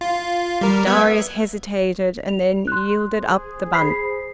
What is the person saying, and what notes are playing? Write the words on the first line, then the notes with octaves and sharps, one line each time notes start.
Darius hesitated, and then yielded up the bunch.
F4
G3 A#4
B3 E5 G#6
F7
C6 F#6
G#4 C5
B5 B6 C7